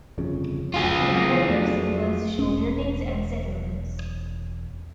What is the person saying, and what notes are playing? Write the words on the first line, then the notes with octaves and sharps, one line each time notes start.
A variety of symbols show buildings and settlements.
G1 F2 C#3
F#1 D2 F4 G#4
C#3 F#3 C4
E3 B3
F2 F#3 A3
E1 C#4